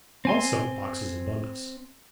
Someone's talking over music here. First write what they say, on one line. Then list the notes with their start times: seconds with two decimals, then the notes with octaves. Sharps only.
Also boxes and bundles.
0.25 C4 G#5 C6